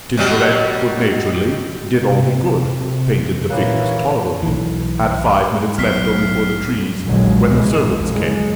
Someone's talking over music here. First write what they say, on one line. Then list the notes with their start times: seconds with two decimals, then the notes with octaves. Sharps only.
Tintoret good-naturedly did all he could--painted the figures tolerably--had five minutes left only for the trees, when the servant came.
0.17 B2 F#3 G3
2.02 C3
3.50 A#2 E3 A#3 C#5 F#6
4.43 B1 E3
5.78 B1 F6 B6 C7
6.73 F#2
7.06 A#1 D#2 D3 F#3 G#3
7.45 C#2 G#2 B2 E3 G#3
7.76 A#1 F2
8.11 F#1 G#3